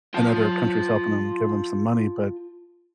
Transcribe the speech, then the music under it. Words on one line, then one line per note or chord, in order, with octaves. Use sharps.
and other countries helping 'em give 'em some money, but
F4 A5